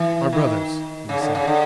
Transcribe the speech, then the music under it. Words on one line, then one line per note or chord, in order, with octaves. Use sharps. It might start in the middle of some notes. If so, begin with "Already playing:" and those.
"Our brothers!" we said.
Already playing: E3
D#3
C#3
D3
C#3
D3